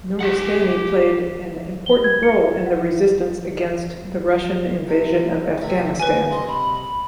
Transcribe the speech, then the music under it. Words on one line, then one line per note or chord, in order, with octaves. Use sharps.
Nuristani played an important role in the resistance against the Russian invasion of Afghanistan.
G4 F#5
G7
G#6
C#7
F#5
C3
C3 G3 A3
C#3 B4 G#5
C2 D#5 C6
B5